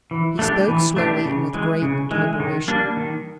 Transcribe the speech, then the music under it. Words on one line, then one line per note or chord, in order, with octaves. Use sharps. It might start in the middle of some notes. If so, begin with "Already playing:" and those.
He spoke slowly and with great deliberation.
E3
A3 D4 G4
E3
A3 D4 G4
C#3
E3 G#3
C#3
E3 G#3
D#3
G3 A#3 D4
D#3